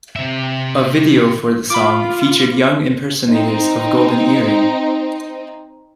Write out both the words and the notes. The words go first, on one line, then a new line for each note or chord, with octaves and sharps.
A video for the song featured young impersonators of Golden Earring.
C3 E5
F4 B5 D6
C4 D#4